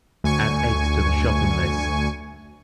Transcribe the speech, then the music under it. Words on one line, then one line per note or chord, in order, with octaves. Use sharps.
Add eggs to the shopping list!
D2 G#5 C#6